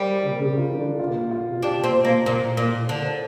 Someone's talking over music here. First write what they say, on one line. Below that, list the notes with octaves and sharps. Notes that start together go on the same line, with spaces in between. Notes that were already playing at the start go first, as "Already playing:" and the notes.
Alluvial gold was mined initially.
Already playing: G3 A#4 C5
G4
A#4
F4
D4
F4
F4
D4 G4
C4
A#3
A#2
A#2
D3 A#4
C5